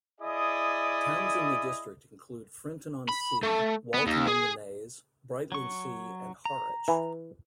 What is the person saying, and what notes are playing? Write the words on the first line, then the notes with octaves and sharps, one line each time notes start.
Towns in the district include Frinton-on-Sea, Walton-on-the-Naze, Brightlingsea and Harwich.
E4 G#4 D5 D#5 D#6
B5
A3
B3
D#2
G#4
F#3 C#6
A#5
E3